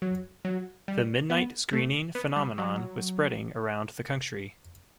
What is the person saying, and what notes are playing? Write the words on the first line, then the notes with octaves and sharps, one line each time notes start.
The midnight screening phenomenon was spreading around the country.
F#3
F#3
G3
B3
A3
B3
G3
F#3